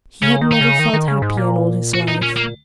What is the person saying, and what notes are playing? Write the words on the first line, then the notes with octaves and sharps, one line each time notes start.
He had never felt happier in all his life.
C#3 C#4
D#3
D#4
C#3
D#3
D#3
C#3
G#2
A#2
F#4
D#4
C#4
A#3